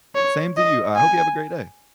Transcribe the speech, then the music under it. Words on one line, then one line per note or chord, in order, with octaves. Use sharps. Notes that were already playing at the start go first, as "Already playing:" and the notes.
Same to you, I hope you have a great day.
C#5
D#5
G#5